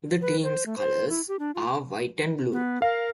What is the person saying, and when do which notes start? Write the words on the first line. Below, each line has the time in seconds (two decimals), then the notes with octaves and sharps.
The team's colors are white and blue.
0.21 B4
0.43 C5
0.66 A3
0.78 C5
1.09 E4
1.28 G4
1.39 D4
1.55 F4
2.52 B3
2.82 A#4 F5